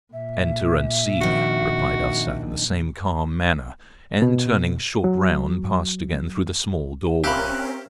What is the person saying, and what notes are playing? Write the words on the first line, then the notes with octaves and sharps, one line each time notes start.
"Enter and see," replied Arsat, in the same calm manner, and turning short round, passed again through the small doorway.
A#2 E5
F2 D#3 D4 F#4
B2
F#3
C4 C#4 G4 A#4 E5 F5 B5 F#6